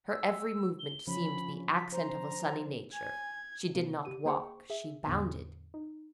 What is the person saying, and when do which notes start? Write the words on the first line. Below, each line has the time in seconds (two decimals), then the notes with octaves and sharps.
Her every movement seemed the accent of a sunny nature; she did not walk--she bounded.
0.10 E6
0.79 G7
1.07 C#3 F3 C#4 B5
1.73 B6
1.93 C5 A#5
2.93 G#5 G#6
3.75 C3 A#3
4.05 C#3 G4 D#7
4.25 A#3 G#4 C5 G5 C#6
4.70 G#4 E5
5.06 E2 A2 D3 B3
5.74 D#4